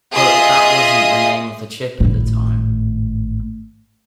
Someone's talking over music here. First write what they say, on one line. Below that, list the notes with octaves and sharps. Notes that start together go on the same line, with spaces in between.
But that wasn't the name of the chip at the time.
F4 G#4 D#5 E5 C6 D#6
G#1 A2